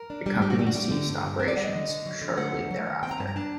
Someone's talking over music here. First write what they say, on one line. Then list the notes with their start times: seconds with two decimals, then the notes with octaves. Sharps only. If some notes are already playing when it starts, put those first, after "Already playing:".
The company ceased operations shortly thereafter.
Already playing: A#4
0.10 D4
0.26 G3
0.42 A2 G4
0.50 F#4
0.58 A2 G4
0.67 F#4
0.74 G3 G4
0.91 D3
1.08 G2
1.24 G2
1.39 C4 A#4
1.48 D5
1.57 G3 F#5
1.64 D#5
1.73 D3
1.89 D3
2.06 F#3
2.22 D3
2.37 A3 F#5
2.54 D2
2.71 F#3
2.87 D#3
3.03 C4 G5
3.11 A#5
3.19 G2 A5
3.27 A#5
3.36 D4 A5